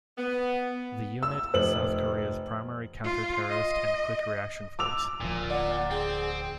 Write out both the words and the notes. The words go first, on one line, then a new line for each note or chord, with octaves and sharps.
The unit is South Korea's primary counter-terrorist and quick reaction force.
B3
E6
F1 C5 F#7
F4
D#5
D6 E6 F7
D1 D2 A#2 F3
D5 F#5
C4 G#4